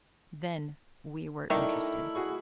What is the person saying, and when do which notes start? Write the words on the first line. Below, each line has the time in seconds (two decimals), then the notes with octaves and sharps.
Then we were interested.
1.50 D#3 A3 E4 A4 A#4 D5
2.15 F#4 G#4 C#6